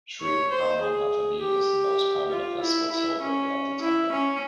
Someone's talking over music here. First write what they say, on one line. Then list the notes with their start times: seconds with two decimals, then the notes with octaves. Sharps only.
Sri Rama Navami is the most prominent festival celebrated at the temple.
0.21 C#5
0.51 C5
0.81 G#4
1.41 G4
2.31 F4
2.61 E4
2.91 E4
3.21 C#4
3.81 E4
4.12 C#4